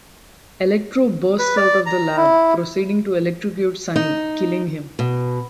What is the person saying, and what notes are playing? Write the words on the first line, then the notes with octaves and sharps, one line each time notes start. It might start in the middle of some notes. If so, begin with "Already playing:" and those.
Electro bursts out of the lab, proceeding to electrocute Sonny, killing him.
B4
D5
A#5
E4
D#4
B2